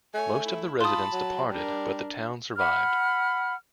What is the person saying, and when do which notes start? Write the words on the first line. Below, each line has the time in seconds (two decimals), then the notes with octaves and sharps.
Most of the residents departed, but the town survived.
0.14 A3 C#5 G#5
0.44 E4
0.81 F4 A5 B5 C6 D#6
1.12 F#3
1.49 G3 D4 A#4
2.57 F#5 B5 F6